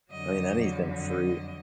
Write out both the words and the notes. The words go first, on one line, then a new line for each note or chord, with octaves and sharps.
I mean, anything free.
F2 D3 F#3 D#5
D#5